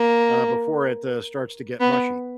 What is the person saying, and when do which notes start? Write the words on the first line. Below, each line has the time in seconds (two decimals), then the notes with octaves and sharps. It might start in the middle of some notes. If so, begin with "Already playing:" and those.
uh, before it, uh, starts to get mushy.
Already playing: A#3
1.80 B3